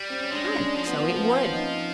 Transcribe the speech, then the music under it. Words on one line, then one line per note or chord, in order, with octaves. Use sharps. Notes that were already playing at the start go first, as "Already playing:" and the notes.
And so it would.
Already playing: G3
C4
C#4
G#3 D4
C#4
D4
F3 C#4
B3
B3
A#3
B3
C4
C#4
D#4
D#4